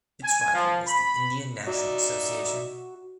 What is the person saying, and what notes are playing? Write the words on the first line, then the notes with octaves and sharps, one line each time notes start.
Its rival was the Indian National Association.
G#5
F3
B5
D#4 F#4 D5 E5